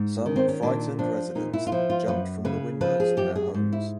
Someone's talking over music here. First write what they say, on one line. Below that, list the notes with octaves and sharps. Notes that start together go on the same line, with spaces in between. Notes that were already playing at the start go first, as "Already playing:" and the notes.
Some frightened residents jumped from the windows of their homes.
Already playing: G#2
D#3
C4
C#4
A#2 D4
F3 D4
A#2 D#4
E4
F4
F3 E4
F4
F#2 B4
C#3 B4
F3 B4
G#4
F#2 G4
G#4
G#2
E4